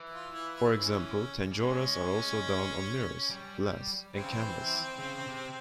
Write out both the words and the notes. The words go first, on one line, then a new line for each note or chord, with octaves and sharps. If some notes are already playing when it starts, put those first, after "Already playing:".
For example, tanjores are also done on mirrors, glass and canvas.
Already playing: E3
F4
E4
E4
C#4
G3
G#3 C#4
G3
E3 C4
C#3
E3
C#3
C3